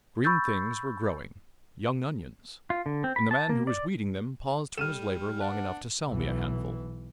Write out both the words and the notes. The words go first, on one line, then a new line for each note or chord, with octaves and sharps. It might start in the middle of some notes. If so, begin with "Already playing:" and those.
Green things were growing--young onions--and the man who was weeding them paused from his labour long enough to sell me a handful.
B5 C#6 E6 G6 A6
F4
D3
C4
B5
A5
A#3
D5
G3 A4 F6 D#7 E7
D4 B4 F#5
B1 E3